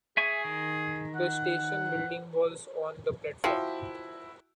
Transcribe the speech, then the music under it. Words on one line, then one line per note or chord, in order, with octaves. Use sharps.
The station building was on the platform.
G#4 E5 G#5 C#6
D#3
F#5
F3 E4 F#4 G5